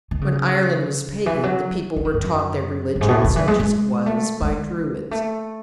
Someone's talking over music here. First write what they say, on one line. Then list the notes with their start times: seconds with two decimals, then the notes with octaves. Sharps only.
When Ireland was pagan the people were taught their religion, such as it was, by Druids.
0.11 D#3
0.21 C#3
1.26 E3
1.43 F#3
1.96 E3
2.05 D#3
2.14 G#2
2.22 F#2
2.96 F#2
3.01 G#2
3.09 B2
3.13 A2
3.24 D#3
3.36 E3
3.48 G#3
3.60 G#3
4.06 A3
4.42 G#3
5.11 A3